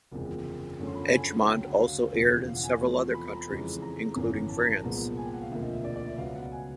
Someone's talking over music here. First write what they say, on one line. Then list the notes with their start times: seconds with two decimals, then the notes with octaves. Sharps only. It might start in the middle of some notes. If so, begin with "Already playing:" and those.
"Edgemont" also aired in several other countries, including France.
0.12 F#1 E2 C3 F3 G#3
0.79 F#2 D3 F3 A3 C#4
0.87 C6
0.95 B5
1.04 A5
1.13 G#5
1.46 D2 C#3 F#3 G5
1.63 F#5
1.80 F5
2.13 E1 E2 C#3 F3
2.47 F5
2.56 F#5
2.64 G#5
2.81 E2 C3 F3 A3 C6
3.14 B5
3.32 A#5
3.48 F2 C#3 E3 G#3
3.82 A#5
4.16 G#1 F#2 C#3 E3
4.49 A5
4.61 A#5
4.72 A5
4.83 C2 A#2 F3 G#3 B3
5.17 G#5
5.25 G5
5.33 F#5
5.42 F5
5.50 E1 D2 C3 F3 A#3 E5
5.62 D#5
5.73 E5
5.84 D5
5.96 D5
6.07 E5
6.18 C#2 B2 F#3 B3 F5
6.35 F#5
6.52 G#5